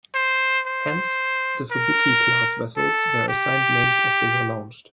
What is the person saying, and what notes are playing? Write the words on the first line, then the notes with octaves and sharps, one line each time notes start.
Hence, the "Fubuki"-class vessels were assigned names as they were launched.
C5
C5
A#4
A4
G4